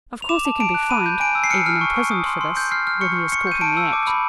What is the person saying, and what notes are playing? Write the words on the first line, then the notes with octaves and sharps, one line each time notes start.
Of course he can be fined--even imprisoned for this--when he is caught in the act.
F7
D6 E7
A5
A5 D7
F#6
B5 D#7
G6
G#5 D7
E6
C7
F6 C#7
F6
C#6
C#6
D#6
C6
C6
G6
F6 C7
F6
C#6 C#7
C#6
C#6 C#7
G6 D#7
A5 D7
E6
D6
B5